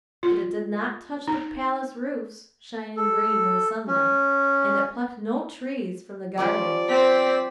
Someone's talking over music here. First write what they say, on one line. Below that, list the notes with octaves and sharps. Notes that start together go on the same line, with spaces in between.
But it did not touch the palace roofs, shining green in the sunlight, and it plucked no trees from the garden.
F4
D#4
A4
C#4
F3 G3 C#4 D5
C4 C5 B6